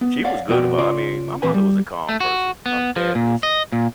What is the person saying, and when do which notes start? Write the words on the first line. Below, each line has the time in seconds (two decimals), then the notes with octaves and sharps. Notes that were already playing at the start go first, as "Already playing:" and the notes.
she was good about I mean, my mother was a calm person, my dad was a
0.01 B3
0.24 C#5 D5 F5 F#5
0.48 F2 B2 B3 F#4 D5 G5
0.78 C#3 F4 C#5 D5
1.42 A#2 E3 C4 B4 G#5
1.54 G3
2.09 A3
2.20 F#4
2.66 B3
2.96 F3
3.15 A#2
3.43 D#5
3.72 A#2